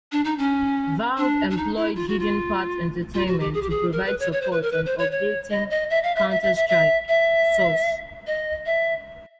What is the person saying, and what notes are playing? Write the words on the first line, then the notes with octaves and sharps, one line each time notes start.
Valve employed Hidden Path Entertainment to provide support on updating "Counter-Strike: Source".
D4
D#4
C#4
D4
D4
D#4
E4
F4
F#4
F4
F4
F#4
G4
G#4
G4
G#4
A#4
B4
C#5
C#5
C5
B4
A#4
B4
C5
C#5
C#5
D#5
D#5
E5
F5
E5
E5
E5
E5
E5
E5
D#5
E5